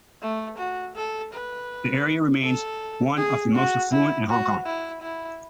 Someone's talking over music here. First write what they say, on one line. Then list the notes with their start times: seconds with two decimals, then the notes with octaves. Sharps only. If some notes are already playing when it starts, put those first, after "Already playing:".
The area remains one of the most affluent in Hong Kong.
0.21 A3
0.58 F#4
0.95 A4
1.33 B4
2.43 A4
3.16 G#4
3.54 F#4
3.91 E4
4.28 F#4
4.66 E4
5.02 E4